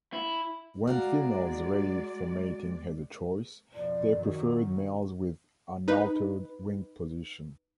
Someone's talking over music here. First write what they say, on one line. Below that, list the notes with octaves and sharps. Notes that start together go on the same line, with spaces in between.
When females ready for mating had the choice, they preferred males with unaltered wing position.
E4
G#3 F#4 D5 F5 A#5
F2 B2 F3 D5
F#2 D#3 F#3
C#4
D#4 B4